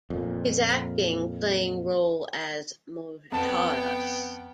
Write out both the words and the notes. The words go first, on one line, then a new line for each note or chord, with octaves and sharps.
His acting playing role as Mojarras.
F2 A#2
F2 B3 G5 A5